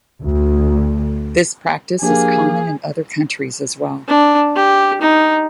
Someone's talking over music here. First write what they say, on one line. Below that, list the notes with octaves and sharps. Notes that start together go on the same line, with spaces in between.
This practice is common in other countries as well.
D2
F3 A#3 D4 G4 G#4
D4
G4
D#4